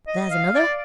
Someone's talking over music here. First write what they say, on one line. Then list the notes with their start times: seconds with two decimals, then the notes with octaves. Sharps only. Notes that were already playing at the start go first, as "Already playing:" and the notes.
There's another.
0.08 D#5
0.31 F5
0.55 D5